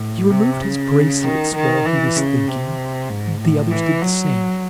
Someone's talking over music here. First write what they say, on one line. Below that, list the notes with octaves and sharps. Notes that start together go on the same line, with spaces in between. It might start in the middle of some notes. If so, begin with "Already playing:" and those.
He removed his bracelets while he was thinking; the others did the same.
Already playing: A2
C3
C#3
D#3
D#3
E3
C#3
C3
G#2
A2
E3
F#3